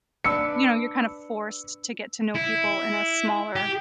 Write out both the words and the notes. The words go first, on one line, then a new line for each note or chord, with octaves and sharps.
you know, you're kinda forced t to get to know people in a smaller,
D4 B4 E6 C#7
E4
G4